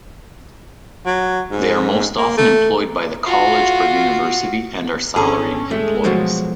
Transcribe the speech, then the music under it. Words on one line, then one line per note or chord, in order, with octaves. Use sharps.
They are most often employed by the college or university and are salaried employees.
F#3
G#2
A#3
A3
F4 F#4
G#1 C#4 D4 G#4 A4
G#3 A3
B2 F3 F#3